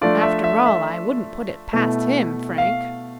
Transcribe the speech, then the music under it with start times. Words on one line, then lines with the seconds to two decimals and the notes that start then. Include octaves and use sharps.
"After all, I wouldn't put it past him, Frank."
0.01 F3 A3 D4 F4 D5
0.23 E5
0.44 E5
0.66 E5
1.73 B2 A3 E4
2.58 F5